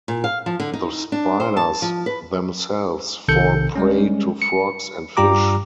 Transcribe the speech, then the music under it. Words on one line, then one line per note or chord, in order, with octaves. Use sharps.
The spiders themselves fall prey to frogs and fish.
A#2
F5
F3
D3
D#4
D4
C5
A5
F3
B4
B1 C3 D#3 A4 G6 C#7
G3 G#3 C#4
C#7
G2 G3 F4 G4 A#5 D6